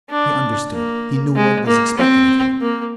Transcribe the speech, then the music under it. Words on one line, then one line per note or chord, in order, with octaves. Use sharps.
He understood, he knew what was expected of him.
D4
A#3
G#3
A#3
C4
A#3